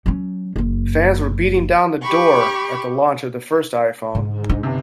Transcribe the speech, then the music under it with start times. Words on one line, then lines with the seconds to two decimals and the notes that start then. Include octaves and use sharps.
Fans were beating down the door at the launch of the first iPhone.
0.06 F#3 C#4
0.56 F#1 F#2
2.02 G4 B5 C#6
4.15 G#2 D3
4.49 D4 D#4
4.63 G1 C3